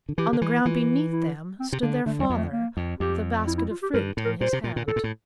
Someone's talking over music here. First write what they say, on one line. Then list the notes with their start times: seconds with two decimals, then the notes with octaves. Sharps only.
On the ground beneath them stood their father with a basket of fruit in his hand.
0.09 D3
0.18 E3 G4
0.33 D3
0.42 E3
0.65 E3 F4
1.13 E4
1.60 C4
1.73 C3
1.83 D3 A#3
2.06 D3 A3
2.19 E2 G3
2.30 F2
2.37 A3
2.53 A#3
2.77 F2
3.00 F2 G4
3.47 E4
3.58 E4
3.70 F4
3.82 G4
3.93 G2 A#4
4.17 A2
4.25 A#4
4.41 A#2 C5
4.53 C3
4.64 A#2
4.76 A#2
4.87 A2 A4
4.96 A#2
5.04 A2